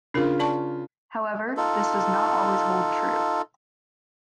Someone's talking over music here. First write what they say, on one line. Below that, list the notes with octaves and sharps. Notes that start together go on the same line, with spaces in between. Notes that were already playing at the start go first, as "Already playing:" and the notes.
However, this does not always hold true.
C#3 D4 F4 A#4
D5 A5 C#6
D#4 F4 A4